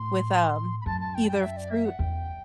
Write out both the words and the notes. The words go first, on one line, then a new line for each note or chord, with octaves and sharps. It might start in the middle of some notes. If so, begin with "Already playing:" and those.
with, um, either fruit
Already playing: A2 C6
B5
F#2 A5
A5
G5
A5
G5
E5
D5
E5
F#5
E2 G5